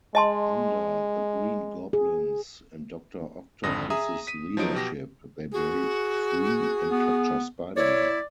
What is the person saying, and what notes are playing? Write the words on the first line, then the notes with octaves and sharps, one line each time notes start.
Under the Green Goblin's and Doctor Octopus's leadership, they break free and capture Spider-Man.
G#3 D#5 A5 C6
G#4
G#1 F2 D3 D#6 A#6
G#4 E5 A#5 D#6
B6 D#7
F3 F#3 D#4 D7
B2 G4 A#6
F#4 G#4
B3
E4 C#5 D5